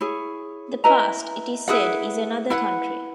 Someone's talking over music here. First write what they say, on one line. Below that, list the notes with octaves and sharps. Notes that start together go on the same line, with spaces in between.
The past, it is said, is another country.
E4 G#4 C#5
E4 B4 D#5 A#5
E4 G#4 B4 F#5
E4 B4 F#5